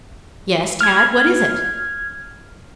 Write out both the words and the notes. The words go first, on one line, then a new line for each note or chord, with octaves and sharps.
"Yes, Tad; what is it?"
F6 G#6